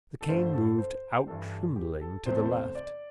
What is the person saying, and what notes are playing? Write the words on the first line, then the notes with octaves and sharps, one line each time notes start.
The cane moved out trembling to the left.
A4
G2 D3 A3 C5
A4
C5
G2 E3 G3 A4
G4
A4
E2 C3 A3 C5
A4
C5
D5